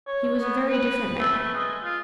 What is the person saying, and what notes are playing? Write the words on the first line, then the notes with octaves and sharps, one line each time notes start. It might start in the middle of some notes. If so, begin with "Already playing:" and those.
He was a very different man.
C#5
B3
B4
A3
A3
G#3
F4